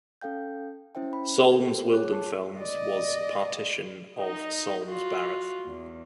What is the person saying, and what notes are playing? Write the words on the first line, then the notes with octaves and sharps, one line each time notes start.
Solms-Wildenfels was a partition of Solms-Baruth.
C#4 A4 F5 G5 G6
C#4 E4 C5 E5 G5
B5
F4 G4 A4 A#4 C5 G5
F4 G#4 C#5 D6 F#6
A5
D5 D#5
D#4 D#5
F4 F#4
E2